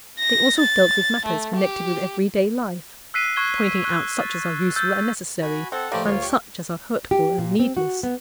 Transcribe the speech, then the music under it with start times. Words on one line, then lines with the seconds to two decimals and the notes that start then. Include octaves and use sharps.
They also dealt with matters connected with every-day life, pointing out such as are useful and necessary, and such as are hurtful and needless.
0.20 A#6
0.60 A6
1.26 A3
1.57 G4
3.14 E6 F#6 B6 C7 D#7 G7
3.36 C#6 F#6 G#6 G7
3.84 C#6 F#6
4.20 A6
4.76 E6 G6 A6
5.42 F#4 G#5 B5
5.72 C4 A4 F#5
5.92 A2 F3 A3 A#3 G4 D5
6.04 D2 F4 C#5
6.22 G4 C#6
7.11 G4
7.38 A#2
7.59 C4
7.77 F#4
8.03 B3